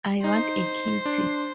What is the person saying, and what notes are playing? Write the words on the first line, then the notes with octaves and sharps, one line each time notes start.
I want a kitty.
D#4 C5
D4